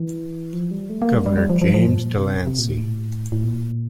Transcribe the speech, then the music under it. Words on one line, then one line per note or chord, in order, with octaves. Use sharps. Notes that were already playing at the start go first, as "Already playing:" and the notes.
Governor James Delancey.
Already playing: E3
F3
G3
A3
A#3
G3
G3
G3
F3
F3
F3
G2
A#2
C3
C3
A#2
A2
A2
A#2